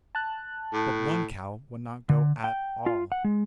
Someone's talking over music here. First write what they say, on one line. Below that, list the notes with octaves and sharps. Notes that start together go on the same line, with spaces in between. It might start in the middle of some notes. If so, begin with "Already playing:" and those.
But one cow would not go at all!
A5 F#6
A2
D3
G5
F4
F#5
G#3